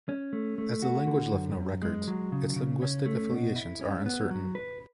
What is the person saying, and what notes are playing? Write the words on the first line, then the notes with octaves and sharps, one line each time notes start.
As the language left no records, its linguistic affiliations are uncertain.
C#4
A3
A3
F#4
D3
F#2
F#2
G#3
F#3
C#3
C#3
C#4
A3
B2
E4
C#4
B3
F#3
B4